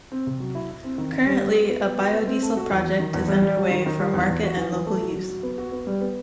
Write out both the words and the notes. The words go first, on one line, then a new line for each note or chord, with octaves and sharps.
Currently, a BioDiesel project is under way for market and local use.
C4
C3
F#3
E4
E4
C4
D#3
D#3
G3
B3
F#4
B3
B3
F#4
B3
C4
A3
F#4
E2
F#3
D#3
E2
G3
G3
F#3
D#3
D#3
G3
E2
E2
F#4
E3
E3
A3
F#3
F#3
F#3
B3
F#4
B3
G3
B3